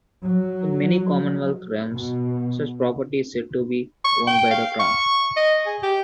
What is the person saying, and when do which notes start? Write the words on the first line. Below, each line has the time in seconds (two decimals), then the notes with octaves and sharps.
In many Commonwealth realms, such property is said to be owned by the Crown.
0.24 F#3
1.94 B2
4.05 C#6
4.27 G5
4.51 F5
4.80 C#6
5.37 D#5
5.66 G#4
5.83 G4